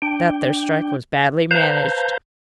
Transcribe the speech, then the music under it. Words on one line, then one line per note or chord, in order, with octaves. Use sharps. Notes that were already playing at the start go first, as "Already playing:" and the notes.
'That there strike was badly managed.
D4 G5
B4 C5 F5 A5 A#5 G6